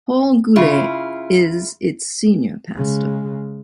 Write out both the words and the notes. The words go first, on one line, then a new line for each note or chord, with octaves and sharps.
Paul Goulet is its Senior Pastor.
C#3 E4 F4
C#3 G#3